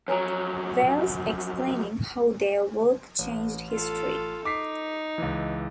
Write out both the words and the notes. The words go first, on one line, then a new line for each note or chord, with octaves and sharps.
Wells, explaining how their work changed history.
F2 F#3 C#5 G#5 A#5
A1
F4 A4
D#4 D6 B6 C7
C#2 E3